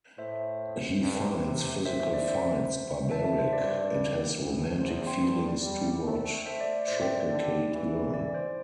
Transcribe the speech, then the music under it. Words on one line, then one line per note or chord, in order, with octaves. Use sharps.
He finds physical fights barbaric and has romantic feelings toward Triplicate Girl.
A2 C5 E5
G2
C3
C5 E5
C5 E5
D5
C5 E5
E5 A5
E5 A5
C5 E5
G2 D5
D5
D5
A2
E2 C5
C5
G5 C6
G2
D5 G5
G3
A3
A3 C5 E5
D5
D5
A2 C5 E5
D5 G5
D5
D3 D5
E3
D5
C5